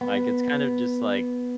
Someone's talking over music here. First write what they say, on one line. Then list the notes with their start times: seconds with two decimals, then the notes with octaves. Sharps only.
Like, it's kind of just, like
0.01 B3